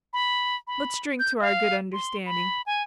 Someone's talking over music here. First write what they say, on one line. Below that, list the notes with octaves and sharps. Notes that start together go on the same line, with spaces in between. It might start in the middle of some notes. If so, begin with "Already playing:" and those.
Let's drink to our good understanding.
B5
B5
G6
F5
C6
B5
G#5